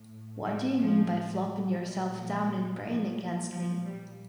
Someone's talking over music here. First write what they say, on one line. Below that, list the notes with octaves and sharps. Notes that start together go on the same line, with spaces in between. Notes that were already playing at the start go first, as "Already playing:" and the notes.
What do you mean by flopping yourself down and praying against me?
Already playing: A2
G3
F3
A#2 G3
F3 A3
G3
F3 A3
G3
F3
G3